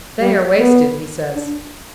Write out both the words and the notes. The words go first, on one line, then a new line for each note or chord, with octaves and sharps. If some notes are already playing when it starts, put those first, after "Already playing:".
"They are wasted, he says."
G3
B3
D4